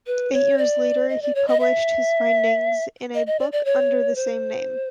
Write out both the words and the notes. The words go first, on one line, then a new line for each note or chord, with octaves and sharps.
Eight years later, he published his findings in a book under the same name.
B4
C#5
D5
D#5
D5
C#5
D#5
E5
D#5
D#5
D5
D5
C#5
C5